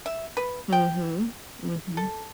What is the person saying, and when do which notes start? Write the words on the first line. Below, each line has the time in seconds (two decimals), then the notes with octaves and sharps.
Mhm. Mhm.
0.06 E5
0.37 B4
0.73 G5
1.97 A4